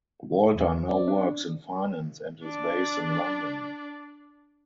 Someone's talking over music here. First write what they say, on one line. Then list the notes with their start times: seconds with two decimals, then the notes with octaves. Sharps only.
Walter now works in finance and is based in London.
0.55 E2
0.89 C4 C#4 D5
1.08 D4
2.44 D4 D5